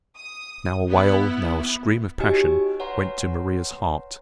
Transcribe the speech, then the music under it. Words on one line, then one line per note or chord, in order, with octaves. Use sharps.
Now a wail, now a scream of passion, went to Maria's heart.
D#6
B3 E4
D#4 F#4 G4 C#5 D#5 G#5
B4 C#5 F#5 G#5 A#5 C6